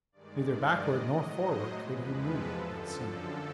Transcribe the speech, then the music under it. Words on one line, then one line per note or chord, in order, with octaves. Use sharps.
Neither backward nor forward could he move, it seemed.
G2 D#3 G#3 D5
D#5
A2 F#3 D#5
C5
E2 C3 F3 G#3 B4
A4
F#2 D3 F3 A4